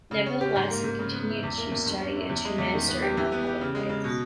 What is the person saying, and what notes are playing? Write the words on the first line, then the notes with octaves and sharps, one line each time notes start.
Nevertheless, he continued to study and to minister in non-public ways.
C#3
C#4
G4
G#2
A#3
G#2
C#3
B3
E4
E2
A#3
E2
G2
C#4
E4
E2
G#3
E2
D#3
B3
G4
E3
B3
G4
C#3
G#3
C#3
B2